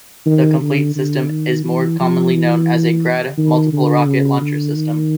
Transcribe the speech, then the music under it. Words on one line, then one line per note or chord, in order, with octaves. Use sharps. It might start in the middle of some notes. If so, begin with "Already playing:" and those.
The complete system is more commonly known as a Grad multiple rocket launcher system.
D#3
D3
D3
D#3
E3
F3
E3
D#3
D3
C#3
D3
D#3